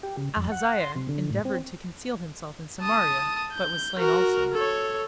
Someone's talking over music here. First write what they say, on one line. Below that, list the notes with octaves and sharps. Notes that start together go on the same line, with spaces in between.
Ahaziah endeavoured to conceal himself in Samaria, but was slain also.
G4
C#3
F2
F#5
C6
C3
D3
A2
C4
A5 D#6
G6
F#4 A#4
A4 C#5